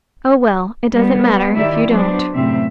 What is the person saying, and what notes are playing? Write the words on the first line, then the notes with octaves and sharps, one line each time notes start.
"Oh, well--it doesn't matter--if you don't."
G3 B3
D#3 E4 G4 D5 E5
F#3 B3 D4 C5
F#2 A2 C3 C4 E5